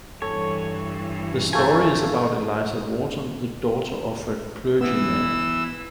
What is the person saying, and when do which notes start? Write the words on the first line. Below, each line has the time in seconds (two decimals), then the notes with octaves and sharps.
The story is about Eliza Wharton, the daughter of a clergyman.
0.22 G2 E3 A4 C#5
1.53 F3 A3 G#5
4.81 E3 B3 E6